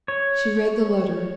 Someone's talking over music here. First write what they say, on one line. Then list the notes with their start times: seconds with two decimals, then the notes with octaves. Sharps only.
She read the letter.
0.08 C#5